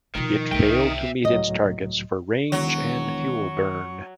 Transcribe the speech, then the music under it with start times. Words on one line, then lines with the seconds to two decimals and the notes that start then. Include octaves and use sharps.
It failed to meet its targets for range and fuel burn.
0.15 B2 D#3 F3
0.52 C2 A3 E5 G5
1.25 C#2 A2 F#3 D#5
2.52 E1 D#3 F#3 C#6